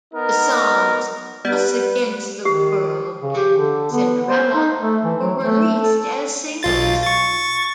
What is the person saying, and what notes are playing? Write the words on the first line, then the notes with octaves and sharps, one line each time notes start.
The songs "Us Against the World" and "Cinderella" were released as singles.
B3 D#4 A#4
G3 B3 B4
D#3 G4
C#3
G4
D3
B3
C5
D#4
A3
E3
F#3
A3
A4
B1 F4 A6
C#6 A6